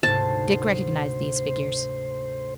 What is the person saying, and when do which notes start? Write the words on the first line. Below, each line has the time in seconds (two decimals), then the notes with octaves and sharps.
Dick recognized these figures.
0.03 D2 G#2 C3 C5 A5